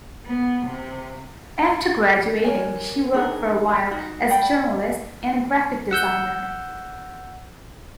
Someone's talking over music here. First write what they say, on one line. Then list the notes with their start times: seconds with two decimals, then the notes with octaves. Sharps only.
After graduating, she worked for a while as a journalist and graphic designer.
0.24 B3
0.65 C3
2.44 A#4 C#5 G#5
3.13 D4 D#4 G#4 A#4
3.91 D#4 F#4
4.29 D5 F#5 G5 B5
5.91 F#5 E6 G6